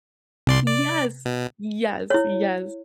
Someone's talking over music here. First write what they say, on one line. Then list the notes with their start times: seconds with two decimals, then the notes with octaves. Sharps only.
Yes, yes, yes.
0.47 C2 C3 D5 C6
0.67 D5
1.25 B2
2.10 E4 C#5